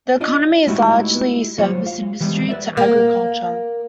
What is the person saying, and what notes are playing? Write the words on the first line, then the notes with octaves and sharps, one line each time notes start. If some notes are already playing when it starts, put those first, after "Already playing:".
The economy is largely service industry to agriculture.
D4 F4 D5 D#5
G#3 A3 D#4 E4 F#4 G4
F#3 A#3 F4 C5 C#5
F5
E3 G3 G#3 B3
B4 C5 D5 E5
A#3